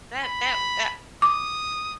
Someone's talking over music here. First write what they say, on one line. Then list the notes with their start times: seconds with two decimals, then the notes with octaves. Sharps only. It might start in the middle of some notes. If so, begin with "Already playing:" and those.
That that that
0.23 B5
1.22 D6 D#6